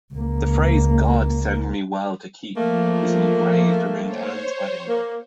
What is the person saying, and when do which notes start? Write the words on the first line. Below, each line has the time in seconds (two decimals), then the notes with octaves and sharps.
The phrase "God send me well to keep" was engraved around Anne's wedding ring.
0.14 C#2 A#3
2.57 F3 A3 A#3
4.01 C5 C#5
4.88 A#3